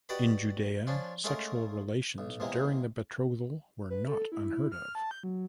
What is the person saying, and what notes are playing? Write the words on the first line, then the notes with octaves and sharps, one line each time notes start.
In Judea sexual relations during the betrothal were not unheard of.
F#4 G4 B4 D5 D#5 B5
F3 C#4 D4 F4
G#3 A3 C#4 F4 A#4 D#5
B1
E2 C3 G#3 A#3
B4
A4
E4
F6
A5
G6
F#3